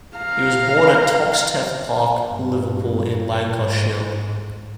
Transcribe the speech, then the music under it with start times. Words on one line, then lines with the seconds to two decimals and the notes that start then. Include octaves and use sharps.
He was born at Toxteth Park, Liverpool in Lancashire.
0.17 F5 A#5
2.27 G2
3.54 G#2